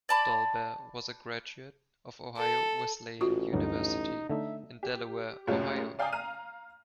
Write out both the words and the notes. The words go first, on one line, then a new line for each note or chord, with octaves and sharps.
Dolbear was a graduate of Ohio Wesleyan University, in Delaware, Ohio.
D5 A5 B5 D6
A4
A1 F4 F#4
D2 G2 F#3 D#4
D3 A3 D#4 E5
G4
F#2 A2 C3 G#3 C#4 F4
D5 F5 G5 G#5 A#5 D#6
F5 A#5 F6 D#7